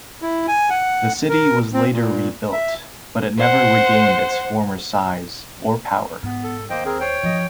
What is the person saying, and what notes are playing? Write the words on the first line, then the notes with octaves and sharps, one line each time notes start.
The city was later rebuilt, but it never regained its former size or power.
E4
G#5
F#5
A#4
C4
A#2
E5
C5 F#5
G#2 B3
A4
D#2 A#3 C5 D#5 G5
C4 G#4 A#4
C5 C#5 G5
G2 F3 D#5